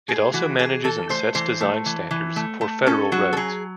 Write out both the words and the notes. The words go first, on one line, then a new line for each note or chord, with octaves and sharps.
It also manages and sets design standards for federal roads.
A3 G#4
E3 F#4
E3 G#4
E3 A4
A3 C5
E3 C5
A3
E3
E3
A3
A3
C#4 A4
F#3 F#4
A4
F#3 G#4